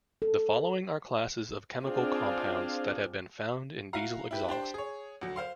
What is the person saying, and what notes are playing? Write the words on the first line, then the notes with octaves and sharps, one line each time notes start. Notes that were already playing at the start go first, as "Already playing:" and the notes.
The following are classes of chemical compounds that have been found in diesel exhaust.
A4
C4 D4 F4 G#4
E4 F#4 F5 A#5
E4 G4 B4
D4 G4 C5
G#4 C#5
D2 F#3
C5 F5 C6